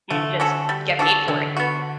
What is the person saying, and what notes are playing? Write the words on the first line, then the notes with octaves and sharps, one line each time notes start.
And just get paid for it.
D3 A3
C#4 F#4 A4
G3
D4 F#4 A4
D3 F#3
B3 F#4